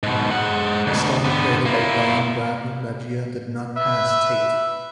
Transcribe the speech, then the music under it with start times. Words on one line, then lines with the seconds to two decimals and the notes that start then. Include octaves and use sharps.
The storm created by Don Bradman that year did not pass Tate.
0.03 G#2 B2
0.30 G#3 F#5
0.87 D2 B2
1.25 D3 B3
1.66 A#3 E4
3.76 B4 E5